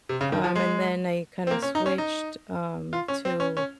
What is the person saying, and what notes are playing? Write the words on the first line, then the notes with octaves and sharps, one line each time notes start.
um, and then I kinda switched, um, to
C3
C#3
D#3
F3
G#3
C4
A#3
C#4
D#4
C#4
D#4
F4
C#4
C4
C#4
C#4